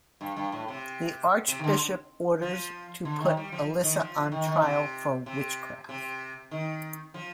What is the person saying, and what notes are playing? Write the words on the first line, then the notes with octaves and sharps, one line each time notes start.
The Archbishop orders to put Elisa on trial for witchcraft.
G2
G2
A2
C3
C3
D#3
D3
F3
D3
D#3
G3
F3
D#3
F3
D#3
D#3
C3
C3
C3
D#3
F3